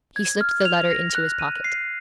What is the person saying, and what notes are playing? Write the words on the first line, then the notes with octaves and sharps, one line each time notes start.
He slipped the letter into his pocket.
G#6
F6
F7
A#6
F#6
D#7
C7